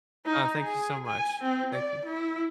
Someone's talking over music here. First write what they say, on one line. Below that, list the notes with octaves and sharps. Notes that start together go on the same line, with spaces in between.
Uh, thank you so much, thank you.
D#4
G#4
G#5
C4
D5
E4